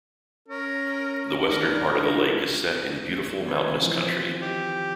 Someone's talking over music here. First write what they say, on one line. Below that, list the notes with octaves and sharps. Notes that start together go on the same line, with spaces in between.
The western part of the lake is set in beautiful mountainous country.
C#4 A#4
D#3 E3 D4 A4 A#4
D#3 B4 G#6
E3 F3 C4
G4